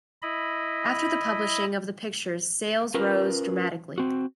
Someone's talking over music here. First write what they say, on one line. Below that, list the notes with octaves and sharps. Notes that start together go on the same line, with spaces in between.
After the publishing of the pictures sales rose dramatically.
E4 D#5 B5
C#4 F4 A#4 B4
C4 F#4